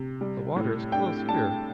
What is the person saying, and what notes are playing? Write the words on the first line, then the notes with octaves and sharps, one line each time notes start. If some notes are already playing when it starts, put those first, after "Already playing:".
The water is close here.
Already playing: C3
G3
A2
D4 G5
D4 A5